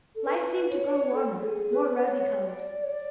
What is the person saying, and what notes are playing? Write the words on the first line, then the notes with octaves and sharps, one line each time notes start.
Life seemed to grow warmer, more rosy colored.
A4
B4
C#5
A4
G#4
B4
B4
C#5
D5
C#5
D5